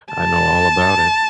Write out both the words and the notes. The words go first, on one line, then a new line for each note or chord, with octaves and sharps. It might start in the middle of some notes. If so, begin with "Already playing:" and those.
I know all about it.
A5